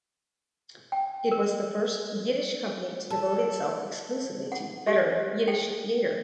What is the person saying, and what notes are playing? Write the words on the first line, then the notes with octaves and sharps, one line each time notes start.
It was the first Yiddish company to devote itself exclusively to "better" Yiddish theater.
G5
A#4
A4
F#5
G4
G5